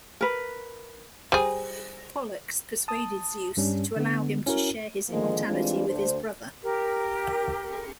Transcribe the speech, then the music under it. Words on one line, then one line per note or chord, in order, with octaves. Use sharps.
Pollux persuaded Zeus to allow him to share his immortality with his brother.
A#4 B4
G3 G#4 C5 G#5
A5 D#6
G2 G3 C#4 D4
D3 B3
C#4 E4 F#4 A#4
G#2 D3 D#3 F3 G#3 A#3
E3 G3 G#3 C4 D4 F4
D2 D4 C5
G4 A#4